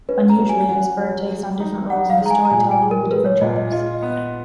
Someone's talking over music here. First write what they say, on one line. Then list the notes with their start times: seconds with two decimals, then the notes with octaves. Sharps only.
Unusually, this bird takes on different roles in the storytelling of the different tribes.
0.09 C#4 B4
0.30 A#5
0.39 F#3
0.49 G#5
0.69 F#4
0.99 F#3
1.29 G#3
1.60 D#4
1.90 D#4 F#5
2.10 F5
2.21 G#3 A#5
2.30 G#5
2.45 A#5
2.50 A#2 G#5
2.71 G#5
2.82 G#3
2.91 A#4
3.11 G#3 B4
3.26 C#5
3.41 A#2 D#5
3.56 D#5
3.72 F4 D#5
4.02 B3